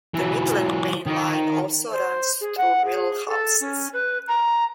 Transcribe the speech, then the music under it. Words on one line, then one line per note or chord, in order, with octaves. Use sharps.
The Midland Main Line also runs through Millhouses.
E3 F#3
D#3
C5
G#4
F#5
G#4
A4
C#4
B4
A#5